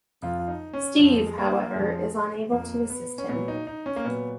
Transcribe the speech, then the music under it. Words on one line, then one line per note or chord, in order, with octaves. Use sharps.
Steve, however, is unable to assist him.
F2 F3 F4
F4
D#4
C#4
F2 F3
G#3
A#3
F2 F3 G#3
F2 F3 A#3
B3
C#4
A#2 F#3 B3
D#4
D#4
C#4
A#3
A#2 F#3 B3